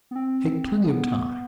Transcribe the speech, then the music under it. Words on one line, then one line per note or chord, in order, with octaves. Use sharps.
Take plenty of time.
B3
C4
B3